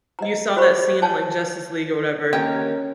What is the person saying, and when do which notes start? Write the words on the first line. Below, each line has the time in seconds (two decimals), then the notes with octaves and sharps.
you saw that scene in, like, Justice League or whatever,
0.19 D#5 A#5
0.57 F#4 C5 B5 C#6
1.02 C#5 G#5 A5
2.33 D#2 C#4 A#4 G5